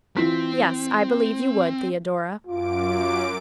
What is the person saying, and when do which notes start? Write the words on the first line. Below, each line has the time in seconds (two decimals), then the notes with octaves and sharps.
"Yes, I believe you would, Theodora."
0.17 E3 C4 F4 B6
2.47 F#2 F4 D6 D7